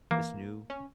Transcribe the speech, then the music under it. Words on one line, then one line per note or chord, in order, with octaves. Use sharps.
this new
E3 A#3
C#4